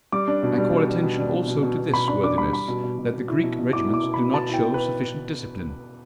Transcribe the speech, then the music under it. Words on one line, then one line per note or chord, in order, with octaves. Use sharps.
I call attention also to this, worthiness, that the Greek regiments do not show sufficient discipline.
G3 D6
D4
B2
G3
B2
D4
B2
D4
B2
B2
B2
B2
B2 B5
D4 B5
D4 D6
G3 B5
G3 B5
B2
B2
B2
B2
E4
B2
B2
E4 D6
E4 D6
B2
B5
B2
B2 A5
E4 G5
B2
B4